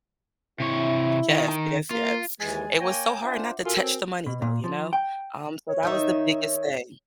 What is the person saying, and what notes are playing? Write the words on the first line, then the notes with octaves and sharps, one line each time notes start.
yes, yes, yes. It was so hard not to touch the money though, you know? Um, so that was the biggest thing.
C3 E4 C#5
D#3
A#3 F4
D#2 E3 G#3 G#5 G#6 A6
A#3 C#5 G5 A#6 D#7
D4 F4 C5 E5 F#5 D6
F4 F#4 A4 A#4 G#5
C4 C#5
B2
A#2
F3
G5
C#5
D#3 D#4 E5